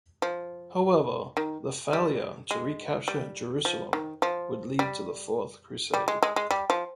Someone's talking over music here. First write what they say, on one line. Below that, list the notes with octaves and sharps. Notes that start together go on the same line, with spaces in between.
However, the failure to recapture Jerusalem would lead to the Fourth Crusade.
F3
D#3
G3
G#3
G3
F3
D#3
F3
G3
G3
G#3
G#3
G#3
G3
F3